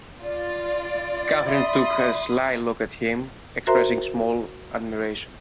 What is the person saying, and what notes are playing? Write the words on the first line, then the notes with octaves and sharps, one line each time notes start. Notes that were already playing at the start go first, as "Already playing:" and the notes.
Catherine took a sly look at him, expressing small admiration.
F4 D5
E5 B5 C6 D#6
F#4 A#4 C5 E5 A#5 C6